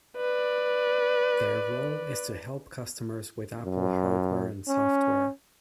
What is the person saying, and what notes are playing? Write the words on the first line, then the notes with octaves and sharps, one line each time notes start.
Their role is to help customers with Apple hardware and software.
B4 D5
F#2
C#4